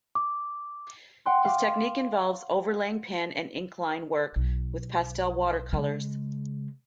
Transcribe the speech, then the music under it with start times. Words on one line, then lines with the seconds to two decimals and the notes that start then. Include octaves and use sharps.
His technique involves overlaying pen and ink line work with pastel watercolors.
0.15 D6
1.26 F#5 G5 C6 F#6
1.45 F5 C6 D6
4.36 B1
5.73 C#3 G#3